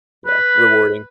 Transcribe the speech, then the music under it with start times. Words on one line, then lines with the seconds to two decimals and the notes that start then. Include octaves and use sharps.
yeah, rewarding.
0.26 B4